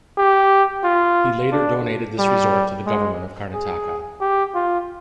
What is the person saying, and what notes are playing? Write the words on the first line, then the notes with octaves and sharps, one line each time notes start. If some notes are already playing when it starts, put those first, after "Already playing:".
He later donated this resort to the Government of Karnataka.
G4
F4
D4
G3
G#3
G#4
G4
F4